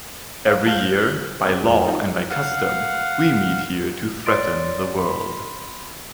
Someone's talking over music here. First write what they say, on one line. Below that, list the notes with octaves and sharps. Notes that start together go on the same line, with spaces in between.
Every year, by law and by custom, we meet here to threaten the world.
F5
F5 A5 F#6 G6
C4 G#4 B4 D5
C#2 G#4
F2 A3
G3 C4 D#4 F4 A4
F5 F#5
C#5 D5 C6 A6 D7
B5 C6